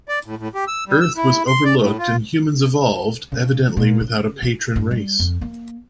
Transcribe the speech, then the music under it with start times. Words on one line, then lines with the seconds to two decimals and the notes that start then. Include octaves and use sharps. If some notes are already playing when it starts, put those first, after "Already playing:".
Earth was overlooked and humans evolved, evidently without a patron race.
0.08 D5
0.26 A2
0.38 A2
0.55 G4
0.68 E6
0.88 G3
1.01 E6
1.16 E4
1.47 C6
1.65 D5
1.79 A2
1.99 F4
3.32 C#3
3.77 A#2
4.01 C#3
4.43 E4
4.76 G2
4.91 G3
5.19 F2
5.41 A#3